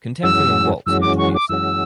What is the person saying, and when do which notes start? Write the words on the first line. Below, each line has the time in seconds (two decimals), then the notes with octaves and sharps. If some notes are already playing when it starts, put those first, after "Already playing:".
Contemporary and waltz are introduced.
0.23 F#2 E3 G#3 C#4 F#4 E6
0.86 F#2 E3 G#3 C#4 F#4 E6
1.02 D6
1.18 C#6
1.34 D6
1.49 F#2 E3 G#3 C#4 F#4 E6